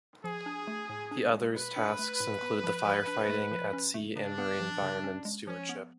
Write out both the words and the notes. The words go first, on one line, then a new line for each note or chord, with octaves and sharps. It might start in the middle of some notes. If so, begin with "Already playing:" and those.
The others tasks include the fire fighting at sea and marine environment stewardship.
F3 G#4
D4
A3
A2
D4
G#3
B2 B4
D4
A3
A2
B3
F3
F3
D4
A3
F3
C#4
A3
C#3 D4
B3
F3
C#3
C#4
G#3
F3 C#4
B3